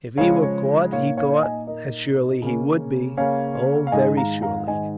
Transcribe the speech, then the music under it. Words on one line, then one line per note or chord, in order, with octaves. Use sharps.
If he were caught, he thought, as surely he would be--oh, very surely!
C#3 F3 G#3 C#5 F5
C#5
A#2 A#3 D#4 C#5 F5
C#5 F5
D#5 G#5
A#2 A#3 D#4 A#4 D#5
C#3 A#3 C#4
C#3 A#3 C#4 C#5 F5
F5
G#2 D#3 G#3 D#4 D#5 G#5
F5 A#5
F5 A#5
G#2 D#3 G#3 D#4 D#5 G#5